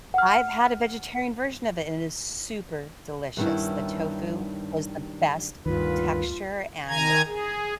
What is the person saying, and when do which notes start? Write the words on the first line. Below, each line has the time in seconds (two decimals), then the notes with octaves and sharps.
I've had a vegetarian version of it and it is super delicious. The tofu was the best texture and,
0.14 F#5 F6
3.37 G2 D#3 G3 B3 C#4 E4
5.66 D2 G2 A#2 D#3 B3 F4 B4
6.88 D#3 G#5 A#5 G#6
7.26 G#4